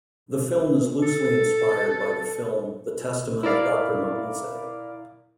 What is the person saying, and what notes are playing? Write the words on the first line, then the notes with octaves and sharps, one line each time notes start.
The film is loosely inspired by the film The Testament of Doctor Mabuse.
A4
E4 A#4 D5 F5